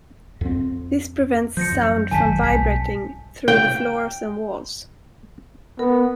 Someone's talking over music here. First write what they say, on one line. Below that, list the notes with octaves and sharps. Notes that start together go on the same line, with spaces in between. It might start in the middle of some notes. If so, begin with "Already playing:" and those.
This prevents sound from vibrating through the floors and walls.
F2 C4
F3 G6 A#6 C#7
F#2
G#1 F#2 D#3 G#5 A5 B6
B1 G3 G#5 B6
G5
B3 A#4